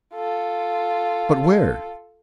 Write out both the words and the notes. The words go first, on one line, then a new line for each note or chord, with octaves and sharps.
"But WHERE?"
F4 A4